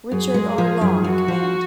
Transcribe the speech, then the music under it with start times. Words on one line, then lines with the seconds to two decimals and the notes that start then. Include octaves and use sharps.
Richard R. Law in command.
0.11 F#2 G#4
0.34 G#3
0.58 F3
0.81 F#2
1.04 F#2 F#4
1.28 F3